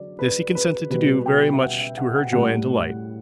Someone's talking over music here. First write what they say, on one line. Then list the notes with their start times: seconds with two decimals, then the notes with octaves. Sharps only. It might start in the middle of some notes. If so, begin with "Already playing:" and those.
This he consented to do very much to her joy and delight.
Already playing: D3 F#3 D5
0.19 B4
0.55 B4
0.90 B2 G3 B4
1.26 G5
1.53 E5
1.62 F#5
1.80 E5
1.98 F#5
2.16 F#5
2.33 A2 G3 F#5